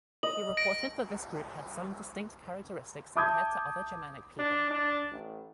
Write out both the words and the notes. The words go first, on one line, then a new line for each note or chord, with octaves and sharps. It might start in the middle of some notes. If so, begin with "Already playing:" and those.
He reported that this group had some distinct characteristics compared to other Germanic people.
D#5 F#7
A#6 D7
E5 A5 D6 D#6 G6 G#6
D4
D4
A1